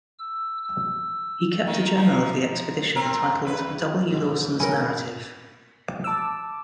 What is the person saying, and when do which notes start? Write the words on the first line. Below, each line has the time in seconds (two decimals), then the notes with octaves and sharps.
He kept a journal of the expedition titled, 'W Lawsons Narrative.
0.19 E6
0.64 E6
1.67 D#3
1.95 F3 D#4
2.96 C4 A#4
3.45 E2 B4
4.09 B1 G#2
4.60 C#3 C#4 A4 A#4 F#5 G#5 B5
6.04 A5 D6 E6